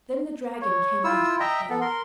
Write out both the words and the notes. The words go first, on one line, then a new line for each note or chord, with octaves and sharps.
Then the dragon came out of the cave.
C#5
E4 F4 E6
D#5 E5 G5 A#5
B3 A4
A#4 C6